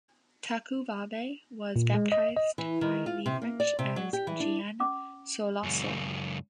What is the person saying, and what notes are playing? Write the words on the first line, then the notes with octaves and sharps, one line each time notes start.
Tacuabe was baptised by the French as Jean Soulassol.
A#2
G#3
D#5
D#5
E3
D#3
F4
C3
A#3
D5
C3
F#3
G4
E3
D4
C#4 D6
C#2 F#2